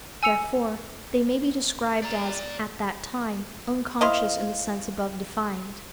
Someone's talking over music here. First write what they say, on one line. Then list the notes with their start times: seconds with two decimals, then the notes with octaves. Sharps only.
Therefore, they may be described as "at that time" unconscious in the sense above defined.
0.23 G#5 E6 C#7 F7
2.02 D5 A#5
4.01 E4 C5 D#5 F5